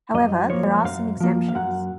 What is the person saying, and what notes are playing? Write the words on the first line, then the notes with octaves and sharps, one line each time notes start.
However, there are some exemptions.
F#2 D#5
F3 A#3 C#5
F#2 F5
F3 A#3
F5
F#2 F#5